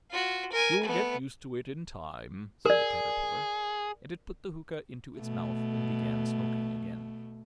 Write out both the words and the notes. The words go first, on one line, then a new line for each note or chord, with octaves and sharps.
'You'll get used to it in time,' said the Caterpillar; and it put the hookah into its mouth and began smoking again.
F4 F#4
A#4 G#5
A3 B3
G#4 A#4 D5
B2 A3